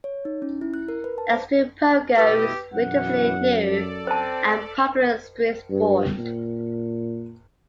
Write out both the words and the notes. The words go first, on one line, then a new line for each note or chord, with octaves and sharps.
Extreme pogo is a relatively new and popular extreme sport.
C#5
D#4
C#4
E4
F#6
A#4
B4
A5
C5
B2 E4 G4 B4 D#5 E6
F#2 B2 E3 F#5
A4 D5
C4 C5 A5
G2
A#2